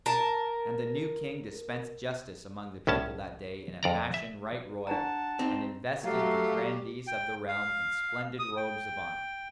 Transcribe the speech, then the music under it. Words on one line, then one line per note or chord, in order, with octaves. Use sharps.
And the new King dispensed justice among the people that day in fashion right royal, and invested the grandees of the realm in splendid robes of honour.
A#4 A5
C2 A2 C#4 A5
F2 D5 A#5
E5
D4 F#5 A5 A#5
C4 D#4
F#3 A3 G4 F5
G5
F5
D#6
G5